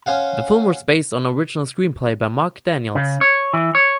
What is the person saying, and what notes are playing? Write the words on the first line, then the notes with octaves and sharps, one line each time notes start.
The film was based on an original screenplay by Mark Daniels.
C#4 C5 C#5 F5 F#5
C#3
C#5
E3
C#5